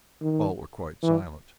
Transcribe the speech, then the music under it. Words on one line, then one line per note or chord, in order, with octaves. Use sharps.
All were quite silent.
D#3
E3